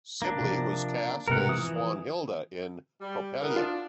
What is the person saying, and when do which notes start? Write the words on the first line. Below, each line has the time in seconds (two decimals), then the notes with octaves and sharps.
Sibley was cast as Swanhilda in "Coppelia".
0.22 A#3 D4
0.41 C3 F3
1.28 G#2 C3 B3 A#4 F#5
1.49 E3 F3 D#6
3.01 G3
3.41 E3 B3 A#4
3.56 D4 F4